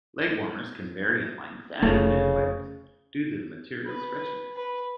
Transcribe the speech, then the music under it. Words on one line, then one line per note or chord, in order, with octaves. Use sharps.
Leg warmers can vary in length, and in width, due to the material's stretchiness.
F1 C#3 A3
B4
B4